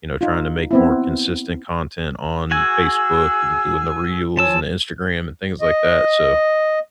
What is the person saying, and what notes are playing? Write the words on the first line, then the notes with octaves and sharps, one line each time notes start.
you know, trying to make more consistent content on y Facebook and doing the reels and the Instagram and things, like, that, so,
D#4 F4
B3 C4 E4
F#4 G#4 G#5 E6
F3 C#5 G#5 A5 E6
D#5